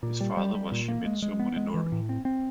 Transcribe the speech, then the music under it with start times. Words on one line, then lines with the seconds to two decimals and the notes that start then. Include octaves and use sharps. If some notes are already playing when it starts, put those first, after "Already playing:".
His father was Shimizu Munenori.
0.03 A#2
0.21 G3
0.37 G3
0.55 G3
0.72 A#2
0.88 A#3
1.06 G#3
1.22 G#3
1.40 B3
1.57 G#3
1.74 E3
1.92 A2
2.09 C4
2.25 C4